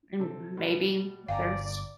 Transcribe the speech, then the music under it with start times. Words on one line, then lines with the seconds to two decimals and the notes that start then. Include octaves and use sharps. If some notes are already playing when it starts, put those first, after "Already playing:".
And maybe there's
0.19 C3 A4
0.57 B2 G3
1.29 G1 D5 F5 G5 G#5 A#5